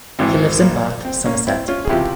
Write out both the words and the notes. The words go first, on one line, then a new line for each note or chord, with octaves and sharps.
He lives in Bath, Somerset.
G#1 G#2 E3 C4
A#3
C4
A#3 C#4
C4 E4
C#4 F4
G#4
C#2 C3 F3 E4 G4